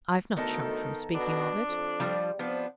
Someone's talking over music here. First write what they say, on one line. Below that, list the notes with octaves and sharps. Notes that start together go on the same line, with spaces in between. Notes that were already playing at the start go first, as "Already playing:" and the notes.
"I've not shrunk from speaking of it."
D2 D#3 B3 D#4 A4
B2 D4
F2
F3 G3
F3 B3 C4 D4